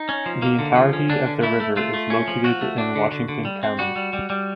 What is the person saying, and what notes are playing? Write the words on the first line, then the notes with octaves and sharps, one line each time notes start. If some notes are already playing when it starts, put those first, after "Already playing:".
The entirety of the river is located in Washington County.
Already playing: D#4
C#4
F3
A#3
D3
F3
C#4
D3 D4
D3
A3 E4
A3
A3 F4
A3
C#4
F3
F3 F#4
A3
D4
D3
D3
D3
G3
C4
G3 F#4
G3
G3
G3